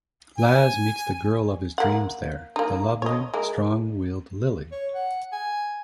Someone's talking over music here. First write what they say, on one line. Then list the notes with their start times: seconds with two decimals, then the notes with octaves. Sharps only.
Laz meets the girl of his dreams there, the lovely, strong-willed Lily.
0.38 G#5
1.78 A#3 F#5
2.56 A#3 D#4
3.02 C#5 D#5
3.34 G#3 A#3
4.72 C#5
4.95 F#5
5.33 G#5